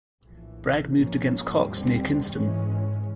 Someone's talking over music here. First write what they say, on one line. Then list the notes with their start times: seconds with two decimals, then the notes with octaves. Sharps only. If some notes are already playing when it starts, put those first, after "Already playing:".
Bragg moved against Cox near Kinston.
0.21 A#1 A2 E3
0.90 G#2 F3 A#3 C#4
1.57 D#2 D3 G3 C4
2.26 G#2 E3 G#3 C#4